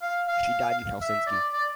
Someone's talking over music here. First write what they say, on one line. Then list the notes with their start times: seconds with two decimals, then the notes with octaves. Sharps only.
She died in Helsinki.
0.02 F5
0.28 F5
1.02 E5
1.27 D5
1.52 D5